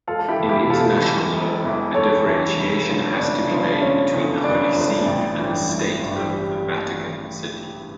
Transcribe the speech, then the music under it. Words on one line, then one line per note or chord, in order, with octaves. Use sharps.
In international law, a differentiation has to be made between the Holy See and the state of the Vatican City.
E1 F4 A4
A4
E4 G4
E2 E3
E4 G4
E1 F4 A4
E2 E3
E1
E2 E3
E1 A4 C#5
E2 E3
F1
E2 D3 F3
F1 D4
E2 D3 F3
F1 C#4
E2 D3 F3
F1 D4
E2 D3 F3
A1
G2 E3
A1
G2 E3
G4